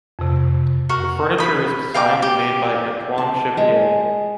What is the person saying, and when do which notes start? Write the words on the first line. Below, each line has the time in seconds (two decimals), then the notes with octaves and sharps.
The furniture is designed and made by Antoine Chevrier.
0.19 F2 C3
0.89 F#4 A#4 F#5
1.38 B5 D#6
1.94 F5 G5 A#5 D6
2.22 G4
3.18 A5
3.57 G#3